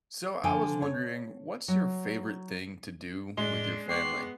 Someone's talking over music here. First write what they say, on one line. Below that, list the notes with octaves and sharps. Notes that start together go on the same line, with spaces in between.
So I was wondering, what's your favorite thing to do with your family?
D3 F3 G5 G#5
C#5
F#3
A2 G#3 D4 G7
B3 G5 C#6 D6 C7